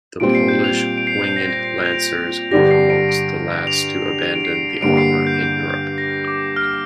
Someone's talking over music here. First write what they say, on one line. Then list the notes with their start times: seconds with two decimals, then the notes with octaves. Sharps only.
The Polish "winged" lancers were amongst the last to abandon the armour in Europe.
0.20 A#2 G3 C4 D7
0.30 D7
0.35 C7
0.48 G6
0.64 F7
0.78 D7
0.98 D7
1.07 C7
1.24 G6
1.36 A#6
1.50 A#6
1.65 C7
1.85 F7
1.94 D7
2.51 G2 D3 G3 D4 G4 A#6
2.71 C7
2.90 D7
3.09 D7
3.67 F7
4.26 F7
4.35 D7
4.44 C7
4.55 D7
4.82 G2 D3 A#3 G4 D7
4.97 C7
5.27 G6
5.41 G6
5.70 G6
5.98 A#6
6.28 D6
6.56 F6